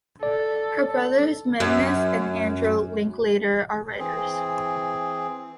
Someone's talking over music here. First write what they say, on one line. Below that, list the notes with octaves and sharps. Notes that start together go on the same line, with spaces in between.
Her brothers Magnus and Andro Linklater are writers.
A4 D5
F#2
E3 C4 G#4